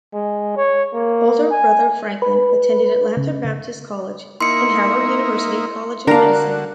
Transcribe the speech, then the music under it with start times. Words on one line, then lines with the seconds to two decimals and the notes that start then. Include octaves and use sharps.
Older brother Franklin attended Atlanta Baptist College and Howard University College of Medicine.
0.14 G#3
0.57 C#5
0.93 A#3
1.51 G#5
2.22 B4
3.17 C#3
4.41 A#3 D#4 E4 C6 C#7
6.07 D3 D4 F#4 A#4 F5